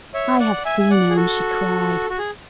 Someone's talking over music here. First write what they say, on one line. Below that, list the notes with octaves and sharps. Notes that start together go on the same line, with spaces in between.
"I have seen him!" she cried.
C#5 E5
D5 F#5
E5 G#5
G#5
D5 F#5
G#4
F#4 A4
F#4
G#4